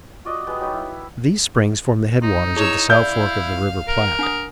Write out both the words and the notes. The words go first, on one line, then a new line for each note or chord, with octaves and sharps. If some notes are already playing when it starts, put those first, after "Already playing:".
These Springs form the head waters of the south fork of the River Platte.
F4 F#4 D5 D#5
G#3 B3 G4
F#3 D#4 B5
E4
D#4 C6
E4 G#4 C#5 E6
E4 D5 F5 G6
A#4
D4 F#5 D#6